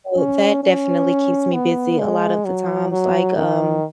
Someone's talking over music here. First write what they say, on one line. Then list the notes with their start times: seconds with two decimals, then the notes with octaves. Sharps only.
Well, that definitely keeps me busy a lot of the times, like, um,
0.18 C#4
0.63 C#4
1.54 B3
1.99 G#3
2.45 F#3
2.91 F#3
3.36 D#3